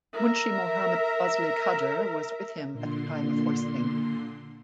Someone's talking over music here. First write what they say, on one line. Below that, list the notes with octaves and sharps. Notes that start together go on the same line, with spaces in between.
Munshi Mohammad Fazle Kader was with him at the time of hoisting.
A#4 E5
A#2 D3 C6